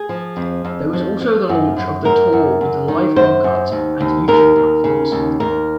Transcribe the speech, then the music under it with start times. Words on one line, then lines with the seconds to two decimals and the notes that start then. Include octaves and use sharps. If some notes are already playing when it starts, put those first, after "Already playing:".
There was also the launch of the tour with Live Orkut and YouTube platforms.
Already playing: G#4
0.09 F3
0.37 F2
0.65 F2
0.93 F3
1.21 F3
1.49 F#2
1.76 F#2
2.04 F#2 A#4
2.33 F#2
2.61 F#2
2.88 D#3
3.16 F#2 C5
3.44 F#2
3.72 D#2
4.01 D#2
4.28 D#2 A#4
4.56 D#2
4.84 C#3
5.12 D#2
5.40 D#2 A#4